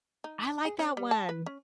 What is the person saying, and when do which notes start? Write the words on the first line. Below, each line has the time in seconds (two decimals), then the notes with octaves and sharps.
I like that one.
0.24 D#4
0.65 G#4
0.79 C#4
0.97 G3
1.11 A5
1.29 B4
1.46 C#4